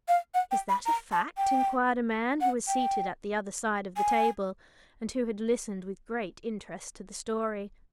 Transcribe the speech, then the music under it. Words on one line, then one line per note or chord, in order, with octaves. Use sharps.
"Is that a fact?" inquired a man who was seated at the other side of the table, and who had listened with great interest to the story.
F5
F#5
G5
B5
A#5
A5
G5
F#5
G5
G#5